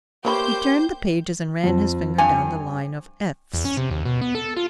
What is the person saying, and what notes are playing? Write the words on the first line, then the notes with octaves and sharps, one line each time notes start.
He turned the pages and ran his finger down the line of "Fs."
A3 A#3 G4 C5 C#5 B5 G6
F2
G2 G#5
E2
C#4
C3
D#2
B2
B3
A4
F4